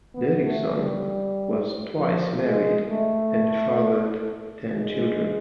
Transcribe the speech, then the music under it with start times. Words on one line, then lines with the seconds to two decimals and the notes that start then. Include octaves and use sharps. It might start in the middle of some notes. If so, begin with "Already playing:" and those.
Derickson was twice married and fathered ten children.
0.14 B3
0.44 A3
0.76 G3
1.97 F3
2.43 G#3
2.90 A3
4.73 G#3